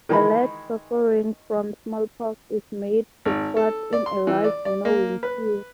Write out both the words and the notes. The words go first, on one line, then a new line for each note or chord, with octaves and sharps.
A lad suffering from smallpox is made to squat in a large winnowing sieve.
D#3 E3 G#3 A#4 B5
G#1
A4
D5
C6
E3
D5
D5
A#3
B4